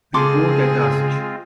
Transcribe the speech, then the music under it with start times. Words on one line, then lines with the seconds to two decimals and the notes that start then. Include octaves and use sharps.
We woke at dusk.
0.14 C#3 G#3 C4 F4 G#4 A4 C6 D6